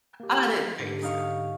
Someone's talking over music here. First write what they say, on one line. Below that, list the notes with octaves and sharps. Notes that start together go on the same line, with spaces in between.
I didn't think so.
A#3 G4
G#2 D3 G4
D#4 F5 C#6